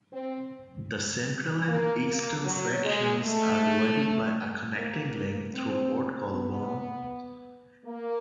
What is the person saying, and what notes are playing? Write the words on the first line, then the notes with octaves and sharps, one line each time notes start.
The central and eastern sections are divided by a Connecting Link through Port Colborne.
C4
A#3
A#3
F#3
G#3
A3
A#3
C4
B3
A#3